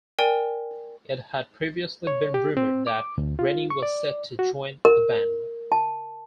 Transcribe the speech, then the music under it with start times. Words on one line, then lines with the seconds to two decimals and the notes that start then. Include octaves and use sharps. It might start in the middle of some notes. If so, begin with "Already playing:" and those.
It had previously been rumoured that Reni was set to join the band.
0.19 A#4 D5 G5 G#5
2.07 C#5
2.34 G4
2.57 C4
2.87 D6
3.18 D2
3.39 F4
3.70 C#6
3.83 D5
4.39 F#4
4.85 A#4
5.72 A5